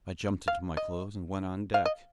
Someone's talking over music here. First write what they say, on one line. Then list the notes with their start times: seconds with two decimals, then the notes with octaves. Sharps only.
I jumped into my clothes and went on deck.
0.48 F5
0.77 D#5
1.74 F5
1.86 D#5